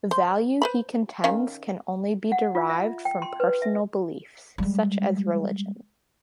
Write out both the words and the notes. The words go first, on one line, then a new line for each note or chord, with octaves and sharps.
Value he contends can only be derived from personal beliefs such as religion.
C5
B4 C5 B5
D#3 C#4 F5
F#5
F4
E5
G5
C6
B4
E5
G3 G#3